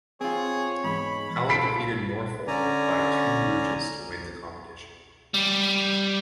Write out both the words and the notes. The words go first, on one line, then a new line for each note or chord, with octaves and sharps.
Hallam defeated Norfolk by two rouges to win the competition.
C4 F4 G#4 C#5
E2 G#2 B5
F4 A4 B5 B6 D7
D3 C#4 D5 G#5 A#5
G3